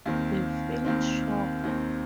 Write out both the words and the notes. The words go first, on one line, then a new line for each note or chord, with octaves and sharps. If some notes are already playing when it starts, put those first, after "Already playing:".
The film, Shock!
D#2 D#3 C4
D#2 D#3 C4
D#2 D#3 C4